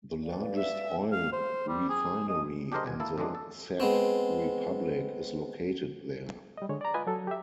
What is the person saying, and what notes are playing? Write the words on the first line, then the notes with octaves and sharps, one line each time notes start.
The largest oil refinery in the Czech Republic is located there.
B4 D5 F5
E5
F5
C5
G3
G#4
D#5
D4 G4 G#4 A#4 C5 D#5
C2 B2 G#5
A#3 E4 A4
F2 E3 F#3 G#3 D4
A4
G#3 B3 C4
G3 D#5
D3 G#3 C#5
D5 A#5
F4 B4 D#5 G#5
F#3 A4
G4 E5